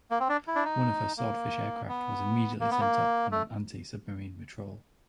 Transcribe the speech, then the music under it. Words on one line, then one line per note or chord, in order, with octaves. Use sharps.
One of her Swordfish aircraft was immediately sent up on an anti-submarine patrol.
A#3
C4
D4
E4
D4
D#4
A#3
B3
A#3
B3
A#3
A3